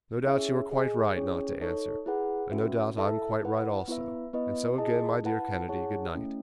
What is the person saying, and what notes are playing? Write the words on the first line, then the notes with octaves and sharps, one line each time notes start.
"No doubt you are quite right not to answer, and no doubt I am quite right also--and so again, my dear Kennedy, good night!"
C#4 E4 G#4 C#5 E5
G#4 D#5 G#5
C#4 E4 G#4 C#5
D#4 A4 C#5
E4 G#4 B4 F#5
C#4 F#4 B4 E5
E4 A4 E5 A5
E4 B4 F#5
B3 E4 B4 E5
B3 E4 B4 D#5
E4 G#4 D#5 A5
E4 B4 F#5 A5
E4 G#4 C#5 F#5 A5
A3 C#4 E4